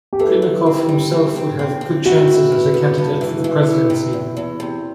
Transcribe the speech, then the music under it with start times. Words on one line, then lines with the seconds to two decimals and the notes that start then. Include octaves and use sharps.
Primakov himself would have had good chances as a candidate for the presidency.
0.13 G4
0.19 E3 A4
0.42 E3
0.66 C4
0.89 G3
1.13 C4
1.36 C4
1.59 C4
1.81 C4
2.05 E4 F#4
2.27 E4
2.52 B3
2.74 B3
2.98 G2
3.21 E3
3.44 E3
3.67 B3
3.90 C3
4.13 E2
4.37 E2
4.60 C3